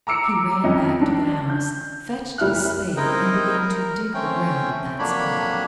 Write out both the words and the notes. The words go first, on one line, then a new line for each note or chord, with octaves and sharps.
He ran back to the house, fetched his spade and began to dig the ground at that spot.
A#5 D6 E6 C#7 D7
F2 C#4 D#5
D4
G6
F#1 G3 E4 F6 F#6
C4 D#4 E4 A#4 D#5 G5
A#4
A3 C4 C#4 G5
F2 F#3 A#3 D4 C#5 B5